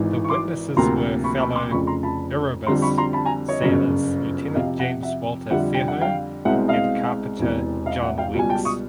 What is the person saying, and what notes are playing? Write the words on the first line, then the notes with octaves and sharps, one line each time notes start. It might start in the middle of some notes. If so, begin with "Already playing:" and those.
The witnesses were fellow "Erebus" sailors Lieutenant James Walter Fairholme and Carpenter John Weekes.
Already playing: G#1 G#2 E3
C#6
C6 D6
D2 C3 F3 A#3 A#5 C6
B5 C#6
B5 C#6
C6 D6
F1 F2 C#3 B5 C#6
A#5 C6
A5 B5
F2 D3 G3 C4 A#5 C6
B5 C#6
A#5 C6
A5 B5
G#5 A#5
C#5 D#5
G1 F#2 C#3
F2 C3 F3 D#5 F5
E5 F#5
E5 F#5
F2 D3 G3 E5 F#5
G5
F#5
F5 G5
C2 B2 G#3 C4 E5 F#5
D#5 F5
E1 E2 C3
D#5 F5
E5 F#5
F5 G5
C#2 B2 G3 G#5
G5 A5
C#6 D#6